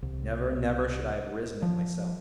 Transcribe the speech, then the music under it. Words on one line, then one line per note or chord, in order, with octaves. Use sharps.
Never, never should I have risen of myself!
C2
F3